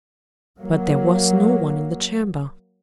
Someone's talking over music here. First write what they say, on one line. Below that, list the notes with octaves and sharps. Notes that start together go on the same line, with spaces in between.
But there was no one in the chamber.
F#3 A#3